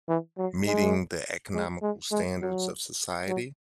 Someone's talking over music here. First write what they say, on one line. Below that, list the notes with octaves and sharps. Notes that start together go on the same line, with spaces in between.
meeting the economical standards of society,
E3
F#3
G#3
G#3
G#3
G#3
F#3
F#3